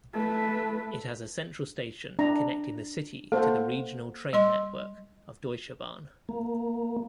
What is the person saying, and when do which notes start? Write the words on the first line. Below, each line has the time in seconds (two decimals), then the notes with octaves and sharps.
It has a central station, connecting the city to the regional-train-network of Deutsche Bahn.
0.14 A3 B4
2.19 D4 A#5
3.32 A#3 A4 C5 F#5
4.33 G3 D#5 C6
6.29 A#3